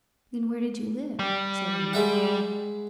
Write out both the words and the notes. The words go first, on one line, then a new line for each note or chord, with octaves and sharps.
'Then where did you live?' said Una.
G3
G#3 E5 F#5